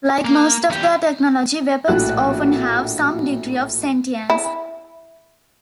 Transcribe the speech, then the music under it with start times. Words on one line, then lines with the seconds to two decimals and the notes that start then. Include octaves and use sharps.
Like most of their technology, weapons often have some degree of sentience.
0.25 A#3
0.70 E2 G4
1.88 A#1 A2 F#4 F#6
4.30 E4